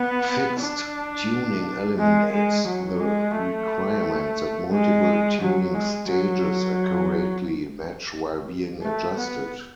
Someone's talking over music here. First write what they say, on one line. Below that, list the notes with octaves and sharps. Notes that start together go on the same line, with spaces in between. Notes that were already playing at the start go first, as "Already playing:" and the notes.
Fixed tuning eliminates the requirement that multiple tuning stages accurately match while being adjusted.
Already playing: B3
D4
G#3
G#3
F#3
G#3
A3
G#3
F#3
G#3
F#3
A3
B3